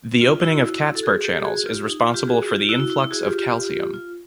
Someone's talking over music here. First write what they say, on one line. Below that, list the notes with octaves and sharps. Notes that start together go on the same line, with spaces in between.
The opening of CatSper channels is responsible for the influx of calcium.
F4
E4 F#4
A4
F#4 G#4
G#4
G4 A4
F#4 G#4
F4 G4
D#4
F4
F4 G4
F#4 G#4
F4 G4
E4 F#4
E4 F#4
E4
E4
F#4 G#4
F4 G4
F4 G4
F4